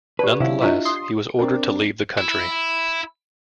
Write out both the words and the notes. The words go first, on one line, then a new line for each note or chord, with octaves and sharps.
Nonetheless he was ordered to leave the country.
G4 B4 D5 A5
C3 F#3 E4 F5
D4 F4 D#5
C6 D#6
C4 D4 A#4
E4